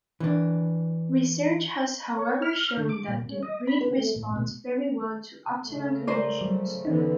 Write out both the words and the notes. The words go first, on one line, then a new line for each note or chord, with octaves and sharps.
Research has however shown that the breed responds very well to optimum conditions.
E3 D4
C#5
F6
D3
D6
A#2
C#4
D#5
B5
B3
A3
A2
B2
C#3 A3
A#4 C5 D5
F#3
D3 E3 B3 C#4 D#4